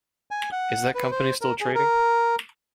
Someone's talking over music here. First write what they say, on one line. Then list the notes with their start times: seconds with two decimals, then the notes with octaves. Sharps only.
Is that company still trading?
0.31 G#5
0.52 F#5
0.95 B4
1.11 C5
1.41 A#4
1.61 G#4
1.75 A#4